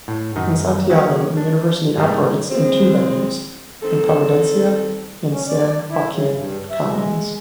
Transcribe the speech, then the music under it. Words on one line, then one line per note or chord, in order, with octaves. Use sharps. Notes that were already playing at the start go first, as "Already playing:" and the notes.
In Santiago, the university operates in two venues: in Providencia and San Joaquin communes.
A2
F#2 D#3 D#4
D#3 F#3 A#3 C#4
D4
G#2 C3 G3 A3 A#3
E3 G#3 C4
D#3 C4 A4
C#4
D5
E4
C#3
G2
E5
G#3